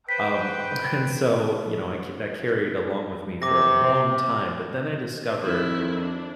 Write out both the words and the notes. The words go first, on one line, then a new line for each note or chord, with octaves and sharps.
Um, and so, you know, I that carried along with me for a long time, but then I discovered,
B4 C5 G5 B6
C3 D6 A#6
F2 D#3 E4
D4